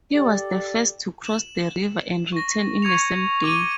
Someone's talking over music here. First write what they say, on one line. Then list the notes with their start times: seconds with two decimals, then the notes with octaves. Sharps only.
He was the first to cross the river and return in the same day.
0.13 G4 A4 D5
1.25 E7 F#7
2.32 C#6 A#6
2.82 C#6 G#6 C#7 F7
3.43 C#6 D6 D#7 G7